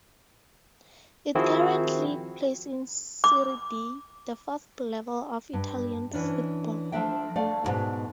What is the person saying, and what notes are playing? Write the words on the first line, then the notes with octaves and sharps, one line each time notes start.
It currently plays in "Serie D", the fourth level of Italian football.
D#3 F3 C4 E4 F#4 G#4
D6
G2
E3 C#4 D4
F3 F#3 A3 D4 E5 G5
A3 D5 F5
D2 G#2 B2